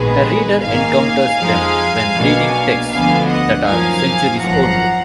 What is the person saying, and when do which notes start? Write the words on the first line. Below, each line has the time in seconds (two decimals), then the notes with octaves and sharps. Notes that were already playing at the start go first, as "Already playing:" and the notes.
A reader encounters them when reading texts that are centuries old.
Already playing: A#1 G#2 D#3 G#3 B3 G#4 B4
0.63 G#2 D#3 A#3 F5 G#5
1.39 F2 F3 G#3 D#4
2.15 B1 B2 A#3 D4
2.90 D2 D3 F3 B3 D4 F5 G#5
3.28 D#5 F#5
3.66 F#2 F3 A#3 D#4 F5 G#5
4.41 G#1 F#2 F3 F#5 A#5